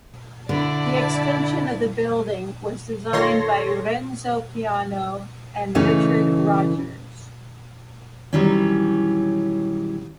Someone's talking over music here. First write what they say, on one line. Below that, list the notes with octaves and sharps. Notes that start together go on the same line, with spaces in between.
The extension of the building was designed by Renzo Piano and Richard Rogers.
D3 E4 D5 A5
D#3 F4 A4 C#5 C6 A#6
C#3 E3 A3 C#4 D#4
D#3 E3 F#3 G3 C#4